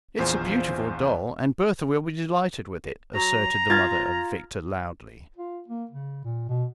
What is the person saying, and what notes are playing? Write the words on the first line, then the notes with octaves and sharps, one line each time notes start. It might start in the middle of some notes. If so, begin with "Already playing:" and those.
"It's a beautiful doll, and Bertha will be delighted with it," asserted the mother of Victor loudly.
A#1 E2 F4 C5 F5 G#5
F#3 A#5
F4 F6 G#6 A6
F4
A#3
C#3
A#2
B2